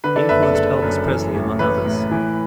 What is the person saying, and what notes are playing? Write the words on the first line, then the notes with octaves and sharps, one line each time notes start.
He influenced Elvis Presley, among others.
D3 B4
A4 D5
F#1 B4 E5
A4 D5
F#1 A4
F#2
E3
A1
A1 B4
A2
E3